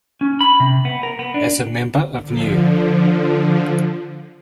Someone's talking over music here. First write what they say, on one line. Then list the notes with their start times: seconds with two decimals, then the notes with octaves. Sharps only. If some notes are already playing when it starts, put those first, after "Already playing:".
As a member of Neu!
0.21 C#4
0.41 B5
0.60 C3
0.85 B3
1.03 A#4
1.19 B3
1.34 D4
2.20 D3 F3